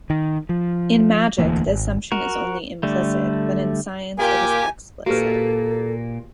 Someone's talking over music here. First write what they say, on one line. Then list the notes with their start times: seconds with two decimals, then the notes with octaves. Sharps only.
In magic, the assumption is only implicit, but in science it is explicit.
0.10 D#3
0.49 F3
1.38 E1 D2 E3 A#3
1.67 G#1
2.12 F#4 A#4
2.83 D3 G3 A3
4.18 A#2 A#3 G4 G#5
5.06 A#2 A#3 F#4 G4 A4 B4